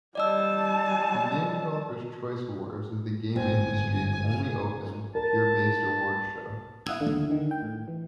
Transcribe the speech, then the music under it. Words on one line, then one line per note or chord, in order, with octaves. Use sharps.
The Game Developers Choice Awards is the game industry's only open, peer-based awards show.
G3 D5 D#5 A5 E6
G1 G#2 C4 G#5
A#4 A5
E4 F5 F#5 D#6 E6 G#6
D#2 D3 A3
D3 D#3
G5
A2
E3